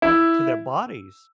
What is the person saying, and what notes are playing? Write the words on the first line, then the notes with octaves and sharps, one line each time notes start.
to their bodies?
E4